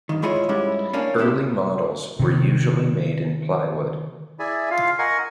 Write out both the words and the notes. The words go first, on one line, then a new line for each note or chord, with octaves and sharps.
Early models were usually made in plywood.
G2 D#3
G#3 E4 F4 G#4 C#5 D#5
G#2 G3 G#3 C#4 E4
A#3 C#4 D4
C2 C3 E4 G4
C3 D#3
E4 G#4 D5 E5 G#5
F4 F5
A#4 D#5 F#5 G#5 C#6